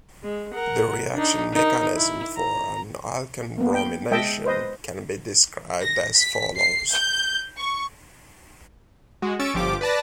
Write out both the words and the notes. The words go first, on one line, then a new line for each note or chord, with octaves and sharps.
The reaction mechanism for an alkene bromination can be described as follows.
G#3
A#4 F#5
D4 D#4
D#4 A#4
E4
A#5
A#3 B3
G5
G#3 D#5 E5 G5 A5
B4 C5 D#5
A#6
B6
C7
G6
C#6
G#3 F#4
C#4 C#6 E6 A6 D7
G1 F3 G4 D6
B4 D5 A5 A#6